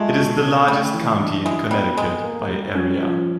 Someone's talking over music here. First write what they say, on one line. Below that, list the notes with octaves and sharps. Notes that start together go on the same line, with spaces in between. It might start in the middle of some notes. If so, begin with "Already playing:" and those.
It is the largest county in Connecticut by area.
Already playing: G#3 A3 F4
B2
C#4
G3 A3
E3
D4
G#3 E4
G3 B3
G#3 G#4
A#3
G3
C#4
F3